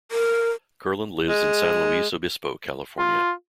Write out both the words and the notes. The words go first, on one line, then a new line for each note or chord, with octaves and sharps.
Kurland lives in San Luis Obispo, California.
A#4
G#3
F4